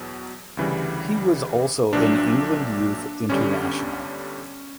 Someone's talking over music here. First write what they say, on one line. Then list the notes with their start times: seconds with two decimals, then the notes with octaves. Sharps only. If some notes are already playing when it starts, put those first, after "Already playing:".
He was also an England Youth international.
Already playing: E2 B2 F#3
0.57 D2 C#3 E3 G3
1.93 A#1 A#2 F#3 D4
3.29 G1 G2 D3 G3 C#4